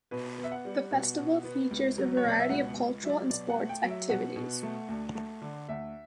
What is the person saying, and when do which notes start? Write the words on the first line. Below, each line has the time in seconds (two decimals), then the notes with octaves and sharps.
The festival features a variety of cultural and sports activities.
0.11 B2 B4
0.38 B3
0.44 E5
0.52 F#5
0.65 G3
0.91 B2
1.18 B2
1.44 B3
1.71 C#2
1.98 F#3
2.17 C#5
2.24 B2 D5
2.40 E5
2.50 C#2 F#5
2.78 C#2
3.03 F#3 E5
3.10 D5
3.30 B2 D5
3.50 F#5
3.56 A3
3.69 G5
3.83 F#3
3.90 E5
4.09 B2 F#5
4.36 B2
4.63 A3
4.89 D2
5.15 A3
5.42 D3
5.69 D2 E5